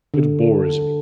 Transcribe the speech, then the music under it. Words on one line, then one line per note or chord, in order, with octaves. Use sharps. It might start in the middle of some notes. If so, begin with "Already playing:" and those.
It bores me.
D3